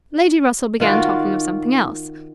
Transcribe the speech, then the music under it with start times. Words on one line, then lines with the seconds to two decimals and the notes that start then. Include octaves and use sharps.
Lady Russell began talking of something else.
0.80 D#3 F4 F#4 D5